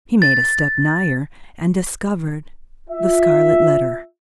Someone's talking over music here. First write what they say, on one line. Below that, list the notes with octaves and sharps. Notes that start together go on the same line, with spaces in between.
He made a step nigher, and discovered the scarlet letter.
A6
F4 E5